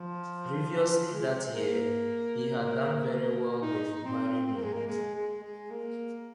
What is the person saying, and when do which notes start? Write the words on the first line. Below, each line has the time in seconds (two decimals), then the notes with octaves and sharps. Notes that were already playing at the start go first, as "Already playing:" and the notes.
Previously that year he had done very well with "Marry Me".
Already playing: F3
0.70 F3
1.13 G#3
1.54 A#3
3.21 A#3
3.62 D#4
3.95 D#4
4.04 C4
4.46 C4
4.55 A#3
4.63 G#3
4.73 A#3
4.87 G#3
5.15 G#3
5.43 G#3
5.71 A#3